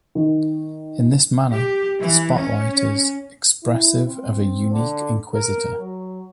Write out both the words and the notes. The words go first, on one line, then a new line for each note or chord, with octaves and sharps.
In this manner the spotlight is "expressive of a unique inquisitor".
D#3
G4
E3
C#4
E4
C4
D3
A#4
F#3